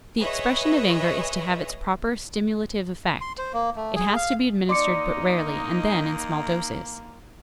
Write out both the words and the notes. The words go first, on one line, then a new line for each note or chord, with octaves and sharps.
If the expression of anger is to have its proper stimulative effect, it has to be administered but rarely, and then in small doses.
G#4 B4 C#5 D#5 E5
C6
C5
A#3
A3
G#4
F5
A#3 D#4 D5 D#5 C6 D6 C#7